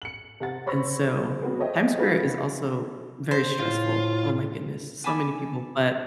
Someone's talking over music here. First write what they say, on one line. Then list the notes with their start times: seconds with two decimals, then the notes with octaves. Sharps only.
And so Times Square is also very stressful, oh my goodness. So many people, but
0.02 C#7 F#7
0.40 C3 F#5 A6
0.66 C5 C#5 B5 C#6 E6 A#6
1.42 G#3 B3 C4 F#4
1.59 A4 C5 C#5 D#5 E5 G5
1.97 F4 F#4 B4
3.31 C5
3.60 A2 F4
5.04 G#5 A5 B5 D6